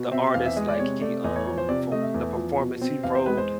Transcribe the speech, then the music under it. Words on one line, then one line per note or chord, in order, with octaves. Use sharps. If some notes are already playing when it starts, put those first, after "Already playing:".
the artist, like, he, um for the performance he rode
Already playing: B2
C4 E5
E2 F5
E5
G#3 D#5
D5
C3 C#5
A3 D5
E2 D#5
C#5
F3 C#5
C5
C3 D5
A3 D#5
E5
E2
F3
B2
C4
E2 F5
C5
G#3 B4
C5